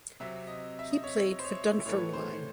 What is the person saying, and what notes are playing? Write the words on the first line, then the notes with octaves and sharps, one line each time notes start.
He played for Dunfermline.
C3 F#3 C4 E5
D#5
E5
D#5
C#5
C5
C#5
A2 E3 A3 C#5
C5